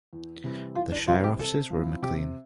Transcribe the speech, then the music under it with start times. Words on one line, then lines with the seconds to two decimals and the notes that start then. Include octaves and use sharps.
The shire offices were in Maclean.
0.13 E2
0.44 C3 E3 G3 C4
0.75 E2 F4
0.92 D4
1.07 C3 E3 G3 C4 F4
1.24 G4
1.39 C3 A4
1.70 F3 C4 E4
2.02 C3 G4